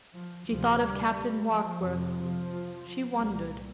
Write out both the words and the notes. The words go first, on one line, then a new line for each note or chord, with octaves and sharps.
She thought of Captain Warkworth. She wondered.
F3
D2 F3
C3
G3
F3
F2 C3
F3
C2 A#2 G3